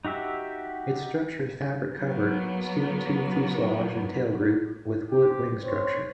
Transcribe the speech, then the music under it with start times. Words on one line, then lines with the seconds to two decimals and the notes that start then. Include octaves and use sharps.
Its structure is fabric-covered, steel tube fuselage and tail group, with wood wing structure.
0.05 D#4 F#4 G4 E5
1.95 F#3 A#3 B3
5.10 C4 G4
5.62 C4 C5 C#5